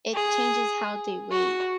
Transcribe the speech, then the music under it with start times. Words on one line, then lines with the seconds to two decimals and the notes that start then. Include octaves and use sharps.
it changes how they wait,
0.14 G#4
1.32 F#4